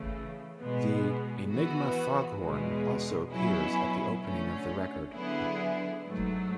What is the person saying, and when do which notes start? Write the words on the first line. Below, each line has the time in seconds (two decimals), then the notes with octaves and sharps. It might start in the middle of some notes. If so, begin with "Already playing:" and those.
The "Enigma foghorn" also appears at the opening of the record.
Already playing: C#3 E3 A3
0.59 B2 G#3 B3
1.49 E3 B3 F#4
2.40 E2 B2 G#3
3.31 B2 F#3 C#4 E4
4.22 D3 A3 C#4
5.14 D3 F#3 B3 E4 G#4
6.04 G#2 F#3 A3